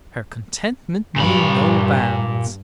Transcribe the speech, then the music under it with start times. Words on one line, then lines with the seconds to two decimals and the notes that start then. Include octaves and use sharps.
Her contentment knew no bounds.
1.16 G2 A#2 B5